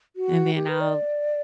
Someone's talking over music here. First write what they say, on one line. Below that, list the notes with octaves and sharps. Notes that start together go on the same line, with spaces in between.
and then I'll,
F#4
G4
B4
D5